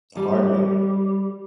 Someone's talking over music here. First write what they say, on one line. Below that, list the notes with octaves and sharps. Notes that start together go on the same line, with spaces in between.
The hard way
G3